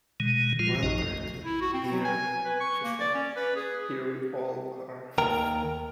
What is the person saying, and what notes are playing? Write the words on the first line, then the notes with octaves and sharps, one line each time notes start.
"Well, Bertie, dear," she said, "here we all are."
B2 D#3 G#3
A#2 D#3 F3 G#3 F4
A#1 F#2 F3 D#4 F#4 D#5
E4
F#4
C4
F#3
G#5
B4
C#6
A#3
D5
C#4
B4
G#4
D#2 A#4 G5 A#5